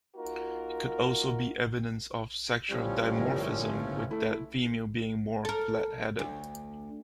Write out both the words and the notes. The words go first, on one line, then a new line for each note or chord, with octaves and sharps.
It could also be evidence of sexual dimorphism with the female being more flat-headed.
A#3 D#4 F4 F#4 A#4
A2 F3 G3 C#4
G1 A#4
A3 E4
A4 A#4
D2